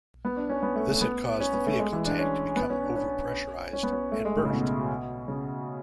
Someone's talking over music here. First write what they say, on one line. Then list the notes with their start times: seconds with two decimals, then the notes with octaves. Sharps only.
This had caused the vehicle tank to become over-pressurized and burst.
0.25 B3
0.36 D4
0.49 C#4
0.63 B3
0.76 A3
0.89 A3
1.01 B3
1.40 C#4
1.53 B3
1.66 A3
1.79 G#3
1.93 E3
2.05 D4
2.18 C#4
2.56 B3
2.70 C#4
2.83 D4
2.96 C#4
3.73 C#4
3.83 B3
3.93 C#4
4.12 A3
4.25 G#3
4.37 A2
4.45 C#3
4.50 B2
5.28 C#3